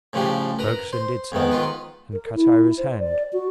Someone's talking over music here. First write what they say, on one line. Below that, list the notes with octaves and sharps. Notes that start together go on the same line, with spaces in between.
Ferguson did so, and cut Ira's hand.
A2 C#3 F3 G3 D4 G4
A#4 B4 A#5
C5
F2 G#2 D#3 B3
D#3 F4 B4
A#4
E4
C5
D5
F#4